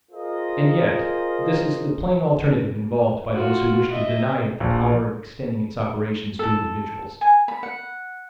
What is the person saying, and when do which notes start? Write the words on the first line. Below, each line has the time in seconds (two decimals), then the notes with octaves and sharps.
And yet this is the plain alternative involved by those who wish to deny it the power of extending its operations to individuals.
0.12 F4 G#4 A#4 C5 D#5
3.33 F4 F#4
3.92 D#5 E5
4.60 A#1
6.39 A4
7.21 G#5
7.48 B5
7.63 F#5